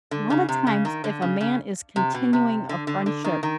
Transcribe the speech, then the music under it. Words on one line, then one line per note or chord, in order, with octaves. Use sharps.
A lot of times, if a man is continuing a friendship
D3
C#3
C3
C#3
D#3
D3
C#3
C#3
C3
B2
C3
D3
D3
D3
D#3
D#3